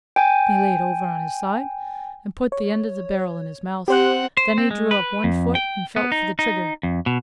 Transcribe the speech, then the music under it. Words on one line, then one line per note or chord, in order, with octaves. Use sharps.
He layed over on his side and put the end of the barrel in his mouth, then he drew up one foot and felt for the trigger.
G5 G#5
C#5
C4 G4 C5 F#5 F#6
C5
C4
G#3
B4
F2
G5
B3
D#4
D#4
F2
B2